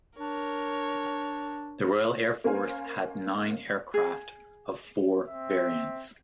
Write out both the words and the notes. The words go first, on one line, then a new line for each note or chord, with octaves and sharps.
The Royal Air Force had nine aircraft of four variants.
D4 A#4 C#5
A#3 C#4 A#4 C5 F5 G#5
G#4
C4 E5